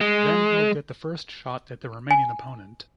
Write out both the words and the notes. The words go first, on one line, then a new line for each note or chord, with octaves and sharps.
Then he will get the first shot at the remaining opponent.
G#3
G#5